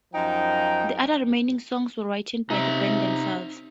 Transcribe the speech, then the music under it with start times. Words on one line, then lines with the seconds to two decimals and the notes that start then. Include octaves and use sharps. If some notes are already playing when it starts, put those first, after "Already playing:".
The other remaining songs were written by the band themselves.
0.14 F#2 F3 D#4 G5
2.50 C3 D#4 E5